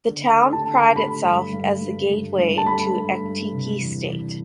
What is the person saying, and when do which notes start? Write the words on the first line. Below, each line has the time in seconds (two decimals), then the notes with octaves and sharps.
The town pride itself as the gateway to Ekiti State.
0.10 D3
0.39 A3
0.53 A5
0.67 D3
0.95 A3 B5
1.24 G2
1.53 G2
1.81 G2
2.10 G2
2.38 G2
2.58 A5
2.66 A3 B5
2.95 G2
3.24 G2
3.52 C3
3.80 E2
4.09 E2